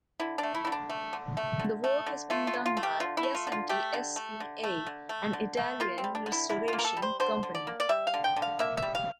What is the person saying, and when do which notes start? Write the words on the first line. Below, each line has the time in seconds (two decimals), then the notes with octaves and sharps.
The work is being done by Piacenti S.p.A., an Italian restoration company.
0.20 D3 E4
0.38 D4
0.43 A3
0.55 E4
0.65 D3 E4
0.72 D4
0.90 A3
1.13 D3
1.37 A3
1.59 D3
1.84 A3
2.07 D3
2.30 A3 F4
2.47 F4
2.54 D3
2.66 F4
2.77 A3
2.83 G4
3.00 D3 F4
3.17 E4
3.23 A3
3.35 F4
3.47 D3 F4
3.69 A3 G4
3.93 D3
4.16 A3
4.40 D3
4.64 A3
4.87 D3
5.09 A3
5.33 D3
5.57 A3
5.80 A#3 F4
5.98 C4
6.04 G3
6.15 D4
6.26 D3
6.32 E4
6.49 D3 E4
6.68 A#3 F4
6.79 A#4
6.85 A4
6.97 G3
7.02 C5
7.20 D3 C5
7.43 D3
7.55 D5
7.67 A#3
7.80 D5
7.89 G3 E5
8.07 F5
8.14 D3
8.24 G5
8.36 D3
8.42 F5
8.59 A#3 E5
8.77 E5
8.82 G3
8.95 F5